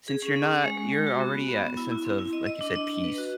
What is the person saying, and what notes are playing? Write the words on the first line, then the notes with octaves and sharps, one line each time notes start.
since you're not you're already at a sense of, like you said, peace,
G#4
C#4
C#4
C#4
G#3
G#3
G#3
F#4
B3
F#4
B3
B3
E4
E4
C4
E4
D#5
D#5
D4
D#5
D4
B4
F#4